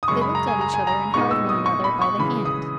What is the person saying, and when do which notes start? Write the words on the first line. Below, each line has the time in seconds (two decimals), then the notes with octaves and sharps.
They looked at each other and held one another by the hand.
0.03 D#6
0.08 F#2 C#3 G#3 C#6
0.21 B5
0.35 A#5
0.47 G#5
0.61 A#5
0.74 G#5
0.87 A#5
1.14 A#2 G#3 B3 D#4 C#6
1.31 E6
1.49 D#6
1.66 C#6
1.84 B5
2.02 C#6
2.19 C#3 E3 G#3 B5
2.45 D#6